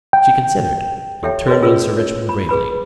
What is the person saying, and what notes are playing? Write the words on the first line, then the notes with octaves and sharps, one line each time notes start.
She considered and turned on Sir Richmond gravely.
G5
G4 A4 C#5 E5 G5
F#4 G#4 A#4 B4 C#5 D#5
C#4 F4 G#4 B4 E6
C#5
B5
G#4 B4 B5